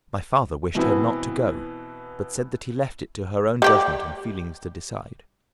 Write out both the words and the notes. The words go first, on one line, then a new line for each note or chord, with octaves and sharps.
My father wished her not to go but said that he left it to her own judgment and feelings to decide.
B2 E3 B3 C4 E4
G3 G4 D5